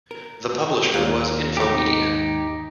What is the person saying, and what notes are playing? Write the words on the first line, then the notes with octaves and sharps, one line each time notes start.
The publisher was Infomedia.
A#4
D#2 F4 C#5 D5 F5
G#2 D#3 D#4 G4